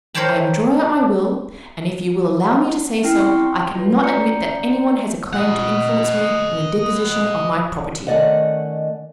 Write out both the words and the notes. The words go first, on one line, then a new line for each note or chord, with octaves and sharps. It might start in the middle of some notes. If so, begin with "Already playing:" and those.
I am drawing up my will, and if you will allow me to say so, I cannot admit that anyone has a claim to influence me in the disposition of my Property.'
A#4 C5 C#5 G5 A5 B5
F#5
C4 C#4 E4 G5 F6 C7
F#5 G5 C6 C#6
F4 B4
C#4 D5 F#5 A#5 G6 C#7
D#5 F#5
D#3 A3 C#4 D5 D#5 F#5